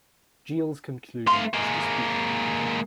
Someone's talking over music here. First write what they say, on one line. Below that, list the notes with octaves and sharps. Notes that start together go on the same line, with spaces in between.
Jeal's conclusion is disputed.
A3 F5 C6
G#3 A#3